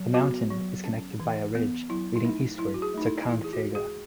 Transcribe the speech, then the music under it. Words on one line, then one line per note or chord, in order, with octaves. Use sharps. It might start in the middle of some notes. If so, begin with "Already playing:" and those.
The mountain is connected by a ridge leading eastward to Kangtega.
Already playing: F#3
B3 F#4
F#3
C#4
E3
B3
F#3 E4
E4
A3 D#4
F#3 E4
F#4
G#4
A3 D#4
E4
E3 E4
G#4
F#4
G#3
G#4